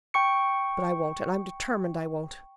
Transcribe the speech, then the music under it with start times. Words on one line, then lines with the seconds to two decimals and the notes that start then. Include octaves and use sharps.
But I won't . . . and I'm determined I won't.
0.14 G5 C#6 C#7